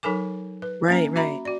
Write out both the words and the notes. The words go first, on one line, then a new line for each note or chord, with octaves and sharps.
Right, right.
F#3 D#4 A4 A#4 G#5 D6
B4
A#3 C#4 A#5
F#4 E5 A#5 B5
F#4 D5